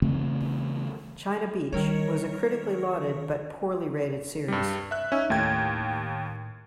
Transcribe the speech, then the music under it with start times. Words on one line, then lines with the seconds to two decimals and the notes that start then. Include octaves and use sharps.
"China Beach" was a critically lauded, but poorly rated series.
0.02 C#3 E3 A3 C4
1.73 D#3 G3 A#4 C#5
4.48 G2 G3
4.91 E5 F#6
5.12 C#4 D#4 E5 G#5
5.30 D#2 A2 G5 G#6